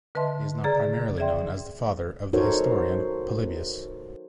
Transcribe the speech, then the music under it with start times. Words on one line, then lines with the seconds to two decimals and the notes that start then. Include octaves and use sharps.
He is now primarily known as the father of the historian Polybius.
0.15 D3 B4 D#5 E5 A5 C6
0.64 C#3 G#4 D5 A#5 A6
1.18 G#4 D5 E5 G5 C6
2.33 D#4 F#4 A4 A#4 C5 C#5